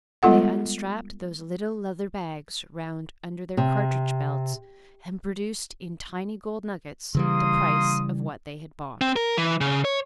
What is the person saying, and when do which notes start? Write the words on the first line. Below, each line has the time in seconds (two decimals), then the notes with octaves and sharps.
They unstrapped those little leather bags round under their cartridge belts and produced in tiny gold nuggets the price of what they had bought.
0.23 G3 G#3 B3 F4 A4 F#5
3.57 C3
7.15 C#3 E3 G3 A#3 C6 D#6
9.01 C4
9.16 A#4
9.38 E3
9.61 C#3
9.85 C#5